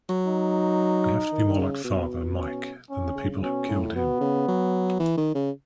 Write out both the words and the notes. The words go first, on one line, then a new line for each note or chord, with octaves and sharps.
We have to be more like Father Mike than the people who killed him.
F#3
D#4
D#3
D#3
C#3
B2
C#4
C#4
C#3
B2 C#4
A2
B2 B3
C#3
F#3
E3
D#3
C#3